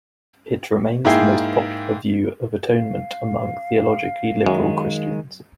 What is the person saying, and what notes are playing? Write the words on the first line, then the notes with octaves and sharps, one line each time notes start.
It remains the most popular view of atonement among theologically liberal Christians.
G#2 A#3 E4 G#4 G5 C7
F5
F#2 D#3 G#3